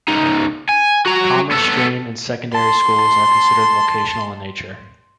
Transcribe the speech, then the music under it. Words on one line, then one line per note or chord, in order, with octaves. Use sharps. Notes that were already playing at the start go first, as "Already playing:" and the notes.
Commerce stream in secondary schools are considered vocational in nature.
C#2 D#4
G#5
F#4 A#5
B3 A4
A5 C6
A5